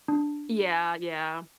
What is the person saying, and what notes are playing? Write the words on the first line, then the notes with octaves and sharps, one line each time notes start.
Yeah, yeah.
D4